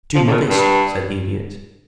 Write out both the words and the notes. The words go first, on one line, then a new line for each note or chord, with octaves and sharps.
"Too modest," said the Idiot.
F3
A2
A#2
G2